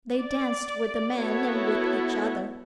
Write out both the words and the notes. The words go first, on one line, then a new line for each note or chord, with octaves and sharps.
They danced with the men and with each other.
D5
B3 E4 F#4 A4 C#5